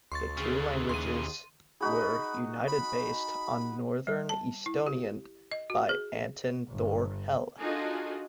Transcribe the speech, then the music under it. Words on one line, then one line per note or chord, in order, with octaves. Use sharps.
The two languages were united based on northern Estonian by Anton thor Helle.
D2 C6 C#6 A6
C#3 E3 G#4
D#2 C6 D#7
D#4 F#4 G#4 B5
B5
G3
A5
E4
G4
D#5
F#4
G#4
G1 G2
D4 D#4 F4 F#4 G#4 A4